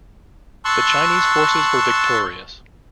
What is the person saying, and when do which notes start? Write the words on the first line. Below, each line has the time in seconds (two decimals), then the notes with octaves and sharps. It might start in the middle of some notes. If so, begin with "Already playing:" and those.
The Chinese forces were victorious.
0.65 A5 C6 C#6 E6 F#6